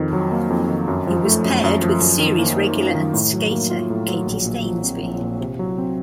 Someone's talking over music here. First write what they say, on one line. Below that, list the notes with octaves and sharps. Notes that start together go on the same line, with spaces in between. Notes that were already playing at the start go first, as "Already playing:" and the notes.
He was paired with series regular and skater Katie Stainsby.
Already playing: F2 D#3
F#3
A#3
F2
D#3
F#2
F3
A3
F#2
F#2
F3
F#2
D#3
A#3
D#4
F#2
D#3
A2
F#3
A#3
F4
A2
F#3
A#1
A#2
F3
C4
A#1
A#2
C3
F#3
C4